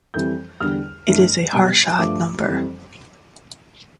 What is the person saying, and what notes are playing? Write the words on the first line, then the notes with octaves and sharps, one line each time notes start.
It is a Harshad number.
F2 E3 G3 G6
E2 D3 G3 F6
G2 E3 A3
B2 G3
G2 F3 A3 D6
F2 E3 G3